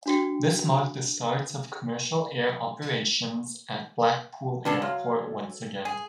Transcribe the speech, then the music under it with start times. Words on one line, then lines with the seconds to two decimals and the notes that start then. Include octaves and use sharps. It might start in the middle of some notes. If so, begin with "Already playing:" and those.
This marked the start of commercial air operations at Blackpool Airport once again.
0.06 D4 F#4 G5
4.65 C#3 B3 D4 A4 G#6 C7
4.82 F#3 F5 C6 F6
5.22 A4
5.85 G#4